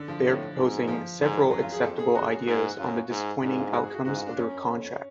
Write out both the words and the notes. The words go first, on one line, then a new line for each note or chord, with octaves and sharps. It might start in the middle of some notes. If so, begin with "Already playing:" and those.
They are proposing several acceptable ideas on the disappointing outcomes of the contract.
Already playing: D3
F3
A2
G#2
F3
G#2
F#2 F#3
F4
G#4
F2 A4
G#4
F#2 F#4
G#2
F#2 F4
G#2
G#2 D4
F4
F#4
G#4
F#4
G#2 F#4
F4
D4
F#2 C#4
F2